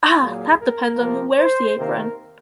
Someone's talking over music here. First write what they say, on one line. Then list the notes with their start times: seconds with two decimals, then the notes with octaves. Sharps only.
Ah, that depends on who wears the apron!
0.18 A#2 F#3 A#3 G#4
0.57 A#4
0.96 C3 F3 A#3
1.37 C5
1.77 C3 D#3 A#3 A#4